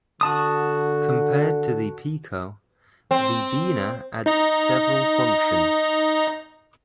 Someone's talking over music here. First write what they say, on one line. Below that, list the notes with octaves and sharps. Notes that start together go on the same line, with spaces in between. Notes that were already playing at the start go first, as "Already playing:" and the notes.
Compared to the Pico, the Beena adds several functions.
D3 F#4 A5 D#6
C4
D#4 D#5 A#5